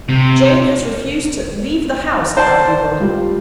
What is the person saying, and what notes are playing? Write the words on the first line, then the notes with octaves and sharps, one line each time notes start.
Jane has refused to leave the house, cowardly woman!
C3
C5 D5 A5
G3 F4